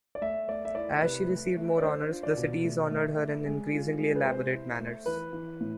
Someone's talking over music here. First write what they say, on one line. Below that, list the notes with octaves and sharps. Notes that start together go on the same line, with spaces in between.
As she received more honours, the cities honoured her in increasingly elaborate manners.
D5
A3 E5
A3 D5
E5
E4 D5
C3 B4
A3
A3
D5
D4 C5
F4
D5
B2
A3
A3
A3
G#3
F4
G#3
B4
C3 C5
E4
A3
E3 B4
E3
A2